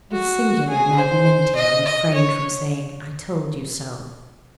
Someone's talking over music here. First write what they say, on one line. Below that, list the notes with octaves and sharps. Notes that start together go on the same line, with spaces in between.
With singular magnanimity, I refrained from saying, 'I told you so.'
F#4
G#4
C5
D#5
D#5
C#5